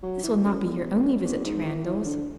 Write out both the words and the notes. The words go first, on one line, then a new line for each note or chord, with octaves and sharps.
"This will not be your only visit to Randalls."
F#3
E3
F#2
E2
F#2
E2
G#2
E3
E3
D3